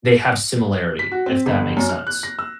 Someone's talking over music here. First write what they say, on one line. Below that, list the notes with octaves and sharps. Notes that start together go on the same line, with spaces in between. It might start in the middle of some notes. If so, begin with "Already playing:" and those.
they have similarity, if that makes sense.
B6
F#4
C4
G1
F#2
F6
F#6
A#6
E6